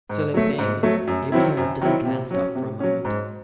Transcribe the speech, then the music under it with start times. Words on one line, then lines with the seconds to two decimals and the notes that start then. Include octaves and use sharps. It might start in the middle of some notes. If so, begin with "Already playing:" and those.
"Silly thing!" he observed as he glanced up for a moment.
0.10 G#2
0.34 F#3 A3
0.58 G#2
0.83 F#3 A3
1.07 F#2
1.32 D#3 F#3 C4 E4
1.57 F#2
1.82 D#3 F#3 C4 E4
2.06 C3
2.31 F#3 C#4
2.55 C3
2.80 F#3 C#4
3.05 G#2